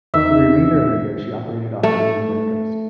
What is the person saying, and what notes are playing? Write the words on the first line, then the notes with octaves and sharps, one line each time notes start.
For the remainder of the year, she operated off the New England coast.
E2 D#3 D#4 E5
A3